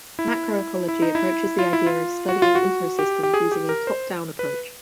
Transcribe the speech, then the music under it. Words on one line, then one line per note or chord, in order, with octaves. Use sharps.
Macroecology approaches the idea of studying ecosystems using a "top down" approach.
E4
E4
D#4
E4
F4
E4
F4
F#4
F4
F#4
G4
G4
G#4
G4
A#4
C5
B4